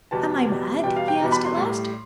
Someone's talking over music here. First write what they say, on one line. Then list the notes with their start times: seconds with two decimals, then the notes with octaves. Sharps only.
"Am I mad?" he asked at last.
0.11 E2 B2 G3 A5
0.48 E2 B2 G3
0.84 E2 B2 G3 G5
0.96 F5
1.08 G5
1.20 E2 B2 G3
1.32 B5
1.44 C6
1.57 A2 G3